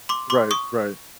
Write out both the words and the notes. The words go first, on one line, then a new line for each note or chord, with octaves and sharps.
Right, right.
C6 D6
C6 D6
C#6 D#6